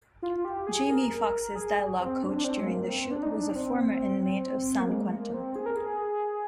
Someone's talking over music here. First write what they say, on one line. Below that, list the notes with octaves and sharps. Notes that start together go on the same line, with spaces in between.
Jamie Foxx's dialogue coach during the shoot was a former inmate of San Quentin.
F4
G4
G#4
A#4
G#4
C4
D4
D4
C4
G#3
A#3
C4
D4
D#4
D4
C4
A#3
G#3
A#3
C4
G#4
A#4
G#4